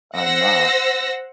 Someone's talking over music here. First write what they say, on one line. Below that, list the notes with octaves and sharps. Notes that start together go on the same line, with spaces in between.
I'm not,
C5 F#5 E6 A#6